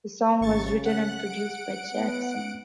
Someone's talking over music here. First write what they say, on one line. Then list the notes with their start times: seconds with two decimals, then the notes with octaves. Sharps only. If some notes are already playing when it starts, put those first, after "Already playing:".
The song was written and produced by Jackson.
0.41 G#1 C#3 C#6 A6
0.85 F#5 F#6
1.26 F#5 D7
1.94 B3